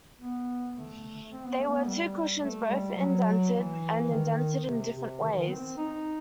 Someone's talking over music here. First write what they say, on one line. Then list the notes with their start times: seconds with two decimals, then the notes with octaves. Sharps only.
They were two cushions, both indented, and indented in different ways.
0.20 B3
0.76 A3
1.31 C4
1.45 B3
1.59 A3
1.72 B3
1.87 G3
2.43 A3
2.70 G3
2.98 F#3
3.55 E3
4.10 D#3
4.65 C3
4.94 C3
5.21 D#3
5.28 E3
5.37 D#3
5.50 C4
5.78 D#4